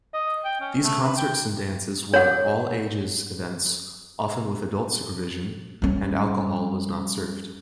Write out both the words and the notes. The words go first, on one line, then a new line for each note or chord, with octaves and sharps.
These concerts and dances were 'all-ages' events-often with adult supervision-and alcohol was not served.
D#5
G5
C#4
A3
B4
G5
C#5 F#5
G3 C#4